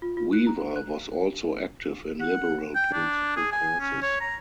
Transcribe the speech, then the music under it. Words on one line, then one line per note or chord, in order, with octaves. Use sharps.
Weaver was also active in liberal political causes.
F4
F4
F#6
A#5
F#6
F#5
G5
D4
G#4
G#5
C#4
C#5
A#5